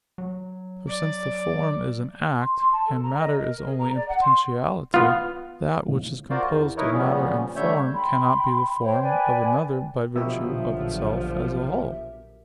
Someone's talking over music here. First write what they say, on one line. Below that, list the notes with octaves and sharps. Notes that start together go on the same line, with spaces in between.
For since the form is an act, and matter is only in potentiality, that which is composed of matter and form cannot be the form of another by virtue of itself as a whole.
F#3
D5
C6
C6
A5
A4
A#5
D#5
A#4
G#4
A#5
D5
F#5
C6
B3 F4
F4 F#4 A#4 C5 D5 F5
E2
D#4 E4 A#4 B4 C#5
A#2 C#3 F3 G3 B3 C#4
D3 G3 A3 C#5 E5 G6
G5 B5 C6
C5 C#5 G5
B4 D5 G5 G#5
A#1 B2 D3 F3 F#3 G4 A#4 E5